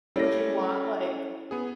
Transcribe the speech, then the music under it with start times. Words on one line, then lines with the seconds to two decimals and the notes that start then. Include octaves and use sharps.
Would you want, like,
0.16 G3 C#4 E4 A4 C#5 A#6
1.51 B3 G#4